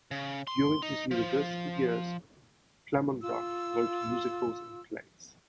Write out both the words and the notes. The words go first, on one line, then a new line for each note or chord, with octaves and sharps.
During his university years, Plamondon wrote musicals and plays.
C#3
C6
D#4
F3
F4 E6